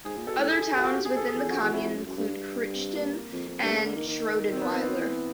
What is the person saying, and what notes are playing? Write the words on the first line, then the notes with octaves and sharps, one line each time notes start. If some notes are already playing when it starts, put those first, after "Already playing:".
Other towns within the commune include Cruchten and Schrondweiler.
G#2 G#4
A#2
B2 A4
A2
A4
G#4
G#4
G4
F4
F#4
G4
G#4
A4
G#4
E2
F2 G#4
E2
F2 F#4
E2
F2 E4
F2
F#2
F#2
G2
G2
C4
A#3
F2
F2
G2 A#3
C#3
D3
D#3
D#3
C4
B3
C4
E3